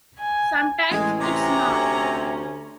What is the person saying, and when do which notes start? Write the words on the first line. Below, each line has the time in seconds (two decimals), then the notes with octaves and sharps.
Sometimes it's not.
0.19 G#5
0.91 A1 G#3 G#4
1.21 C3 C#4 A#5
1.66 D2